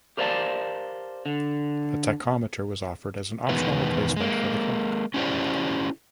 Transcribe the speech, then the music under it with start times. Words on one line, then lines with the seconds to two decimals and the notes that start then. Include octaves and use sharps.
A tachometer was offered as an optional replacement for the clock.
0.17 G4 A#4 C5 D5 F5 A5
1.26 D3
3.49 E2 B2 D#3 G#3 B3
4.17 G#3 A#3
5.14 C#4 E4 F#4 G4 C5 D5